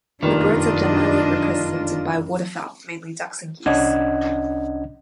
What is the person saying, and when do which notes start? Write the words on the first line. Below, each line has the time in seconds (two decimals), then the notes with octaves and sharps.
The birds are generally represented by waterfowl, mainly ducks and geese.
0.23 F1 F#2 D#3 G3 A#3 D4 F4 D#5
3.66 C2 C#4 D4 D#5 F#5 G#6